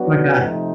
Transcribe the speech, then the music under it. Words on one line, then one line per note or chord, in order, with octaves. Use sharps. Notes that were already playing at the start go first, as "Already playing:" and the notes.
Oh my god.
Already playing: F#3 B3 D4 F#4 B4
C3 F3 A3 C4 D#4